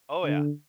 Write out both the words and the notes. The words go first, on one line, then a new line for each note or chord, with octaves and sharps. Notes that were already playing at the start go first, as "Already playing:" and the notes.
Oh yeah,
D3